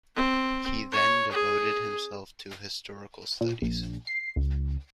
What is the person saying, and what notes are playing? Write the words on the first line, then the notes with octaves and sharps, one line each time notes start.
He then devoted himself to historical studies.
C4
C#5
G#4
A#2
A#1
C7
C#2